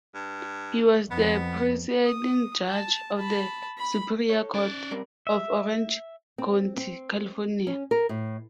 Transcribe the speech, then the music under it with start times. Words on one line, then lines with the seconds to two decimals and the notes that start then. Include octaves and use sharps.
He was the presiding judge of the Superior Court of Orange County, California.
0.15 G2
1.11 F2 B3
2.05 D#6
2.68 A5
3.17 A5 B5
3.78 B5
4.30 A4 C#5
4.54 C#4 D5
4.91 G3 C4 A#4
5.27 E5
6.38 C4
6.77 C4
7.67 C#4
7.91 A#4
8.09 A2